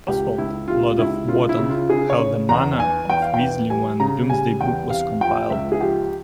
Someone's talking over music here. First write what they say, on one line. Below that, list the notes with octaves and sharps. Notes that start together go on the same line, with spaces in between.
Oswold, lord of Wotton held the manor of Wisley when Domesday Book was compiled.
C#2 G4
C#2 E4
C3 F4
C#2 E4
C#3 F4
E4
C#3
F4
C#3 G#4
C#5
C#3
E2 A#5
E3 G#5
E2 G5
F5
G5
E3
G3 G#5
C#3 A#5
G3 G#5
E2 G5
C3 F5
F3 G5
C#2 E5
G#4
F3 G4